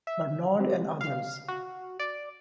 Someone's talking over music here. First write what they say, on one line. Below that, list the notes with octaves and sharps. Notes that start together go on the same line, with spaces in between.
Barnard and others.
E5
C3
F5
F#4
D5